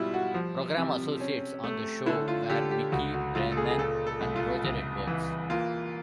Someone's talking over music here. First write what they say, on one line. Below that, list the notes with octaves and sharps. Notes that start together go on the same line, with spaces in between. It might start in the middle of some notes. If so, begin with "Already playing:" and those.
Programme associates on the show were Mickey Brennan and Roger Edwards.
Already playing: G#2 B2 G3 E4 F4
F#4
F3
C3
C#4
A3
D3 E4
F4
D3 G4
G4
C#2 F#4
F#4
C#2 F4
A4
G#4
G#4
A#2 A4
A4
C2
F4
C#2
E3
A#3 F4